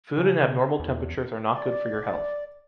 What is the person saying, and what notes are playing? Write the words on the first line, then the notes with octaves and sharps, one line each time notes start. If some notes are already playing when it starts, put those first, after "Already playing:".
Food in abnormal temperatures are not good for your health.
C#3
E2
D5